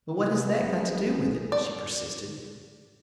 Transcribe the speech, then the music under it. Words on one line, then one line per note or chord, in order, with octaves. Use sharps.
"But what has that got to do with it?" she persisted.
C3 B3 G#4
F#1 F#3
D5